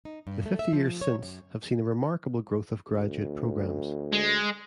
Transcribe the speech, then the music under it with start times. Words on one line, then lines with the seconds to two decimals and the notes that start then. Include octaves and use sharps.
The fifty years since have seen a remarkable growth of graduate programs.
0.05 D#4
0.27 G2
0.46 A3
0.59 E5
0.73 F3
1.01 C#5
1.23 F#2
2.90 D2
4.12 G#3